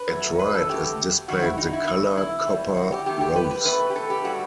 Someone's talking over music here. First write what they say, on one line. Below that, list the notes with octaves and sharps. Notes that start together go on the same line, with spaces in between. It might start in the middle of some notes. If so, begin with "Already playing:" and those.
At right is displayed the color copper rose.
Already playing: B4
A2 F#3 A3
B4
A4
F#2 F#3 A3 G4
G2 D#3 G3 F#4
E4
D#4
E4
F#2 E3 A3
E4
B2 G3
F#4
G4
E2 D#3 A3 G4
G4
B4
B4
B2 A3 B4
G4
A4
G4
A2 G3 F#4